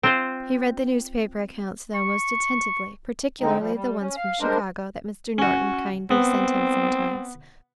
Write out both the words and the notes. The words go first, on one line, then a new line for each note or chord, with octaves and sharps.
He read the newspaper accounts, though, most attentively, particularly the ones from Chicago that Mr. Norton kindly sent him sometimes.
C4 F4 C5
C#6
D3 G#3 C4 D#4
F3 G3
G3
C#4
F5 F6
G3 G#3 D4 A#4 C5
C#4 F#4
B3 C4